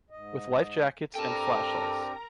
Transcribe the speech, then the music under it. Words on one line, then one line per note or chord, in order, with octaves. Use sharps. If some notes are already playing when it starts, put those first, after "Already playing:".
With life jackets and flashlights.
G#2 D#5
C4 D4 G4 A4 A#4 G5 A5 A#5